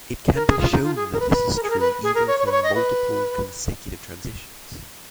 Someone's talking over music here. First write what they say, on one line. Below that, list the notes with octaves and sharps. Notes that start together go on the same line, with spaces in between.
It can be shown that this is true even for multiple consecutive transitions.
A#4
G#4
F4
D#4
F4
G#4
A#4
B4
B4
A#4
G#4
A#4
B4
G#4
A#4
C#5
C#5
B4
C#5
D#5
B4